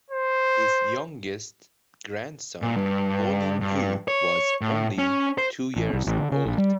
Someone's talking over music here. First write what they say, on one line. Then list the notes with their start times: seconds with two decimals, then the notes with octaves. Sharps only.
His youngest grandson, Bolin Wu, was only two years old.
0.11 C5
2.62 A#2
2.77 G2
3.61 G2
4.08 C#5
4.61 A2
4.98 C#4
5.38 C5
5.76 A1
5.93 C2
6.07 A1
6.18 D3
6.32 C#3
6.45 A#1
6.58 G3